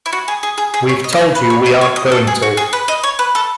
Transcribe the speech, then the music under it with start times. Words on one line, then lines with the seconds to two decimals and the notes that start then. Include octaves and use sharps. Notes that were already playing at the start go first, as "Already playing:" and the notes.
We've told you we aren't going to.
0.06 E4
0.13 F#4
0.28 G#4
0.43 G#4
0.58 G#4
0.74 G#4
0.89 C#5
1.04 D#5
1.19 C#5
1.35 B4
1.50 C#5
1.66 C#5
1.81 C#5
1.96 D#5
2.12 A4
2.27 G#4
2.42 F#4
2.57 G#4
2.73 B4
2.88 D#5
3.03 C#5
3.19 B4
3.35 A4